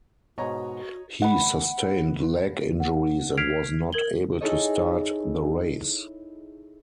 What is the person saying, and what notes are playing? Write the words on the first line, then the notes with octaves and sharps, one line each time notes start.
He sustained leg injuries and was not able to start the race.
G#2 B2 F#4 C#5 D#5 A#5
F#5 B5
F#5
F6 G#6 B6 C7 D7 F7
A#4 G#6 F#7 G7
D#4 E4 G#4 A4 C#5 D#5